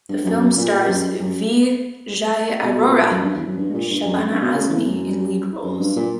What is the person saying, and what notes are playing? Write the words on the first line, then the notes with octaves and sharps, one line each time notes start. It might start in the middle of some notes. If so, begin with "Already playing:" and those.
The film stars Vijay Arora and Shabana Azmi in lead roles.
G2
F#2
F#2
A#2
A#2
F#2
F#2
B2
A#2
F#2
G2
E2
F#2
G2
A#2
G2
F#2
F#2
G2
B2
C#3
E3
F#2
F#2
G2
A#2